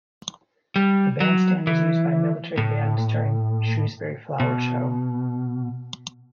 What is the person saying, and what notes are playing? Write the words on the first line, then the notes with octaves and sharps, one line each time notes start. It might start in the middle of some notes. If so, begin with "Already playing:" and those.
The bandstand is used by military bands during Shrewsbury Flower Show.
G3
F#3
E3
A2
B2